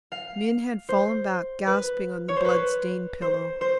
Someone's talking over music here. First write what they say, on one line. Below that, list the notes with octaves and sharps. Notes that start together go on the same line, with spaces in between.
Min had fallen back, gasping, on the blood-stained pillow.
F5
C5
B4
C#5
C5
B4
C5
C5